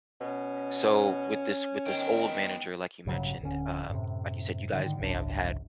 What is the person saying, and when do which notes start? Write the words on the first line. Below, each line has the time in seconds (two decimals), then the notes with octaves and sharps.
So, with this with this old manager, like you mentioned um, like you said, you guys may have had
0.21 B2 C#4
1.87 D#3 B3 G5
3.06 A1 G2 C#3 F#3
3.41 D1 D3 C#4
3.90 F#2 A2 C3
4.73 G#2 D3 D#3
4.99 G#1 C#2 F#2 D4